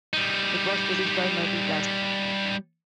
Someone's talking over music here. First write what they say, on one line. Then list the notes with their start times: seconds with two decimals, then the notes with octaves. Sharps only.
It was produced by Michael Kapp.
0.13 G3 D#4